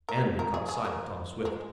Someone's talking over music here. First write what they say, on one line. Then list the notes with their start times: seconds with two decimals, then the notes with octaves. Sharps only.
Andy caught sight of Tom Swift.
0.09 A#4
0.39 A#4
0.54 G#4
0.69 G#4
0.85 A#3
1.45 G#3